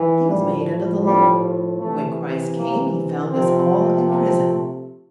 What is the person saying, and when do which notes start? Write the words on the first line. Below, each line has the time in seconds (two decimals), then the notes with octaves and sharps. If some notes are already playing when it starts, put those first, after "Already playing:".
"He was made under the law." When Christ came He found us all in prison.
Already playing: E3
0.28 A2 F3 G3
1.04 G3
1.79 C3 E3 A3
2.55 A#3
3.31 C3 F3 C4
4.07 A#3
4.44 A3